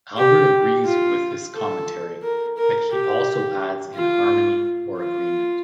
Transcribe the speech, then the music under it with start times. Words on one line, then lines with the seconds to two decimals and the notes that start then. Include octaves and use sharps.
Albert agrees with this commentary but he also adds in harmony or agreement.
0.17 G4
0.85 F4
1.54 A4
2.23 A#4
2.57 A#4
2.91 G4
3.95 F4
4.98 F4